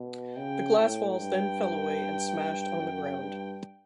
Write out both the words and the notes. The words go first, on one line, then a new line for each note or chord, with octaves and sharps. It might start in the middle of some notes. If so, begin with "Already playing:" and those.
The glass walls then fell away and smashed on the ground.
Already playing: B2
C#3 G5
A2
G2 G5
F#2
G2